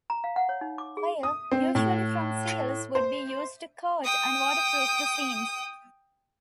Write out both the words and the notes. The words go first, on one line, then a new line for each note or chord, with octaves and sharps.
Oil, usually from seals, would be used to coat and waterproof the seams.
A#5
F5
F#5
C#5
D#4
D6
G#4
D#6
C4
A2
C5
G5 D#6